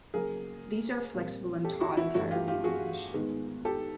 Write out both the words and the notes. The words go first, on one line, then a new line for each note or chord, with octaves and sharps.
These are flexible and taught entirely in English.
C#3 F#3 A#3 G#4 A#4
A#2 G3 C4
G4 A4
E4 F#4
E4
G2 E3 A3 E4 F#4
F4 G4
F4 G4
F#4 G#4
G#2 D#3 G#3 B3
G4 A4